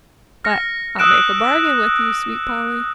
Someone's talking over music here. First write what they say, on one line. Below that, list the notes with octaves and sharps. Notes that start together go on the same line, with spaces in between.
But I'll make a bargain with you, sweet Polly.
F6 A#6 C#7
D#6 E6 F#6 D7 E7